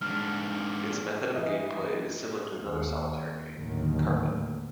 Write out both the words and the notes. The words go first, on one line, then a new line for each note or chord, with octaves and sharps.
Its method of game play is similar to another solitaire game Carpet.
G#2 D4 F6
E3 D#5
D#2
D#2 A2 D3 D#3 F#3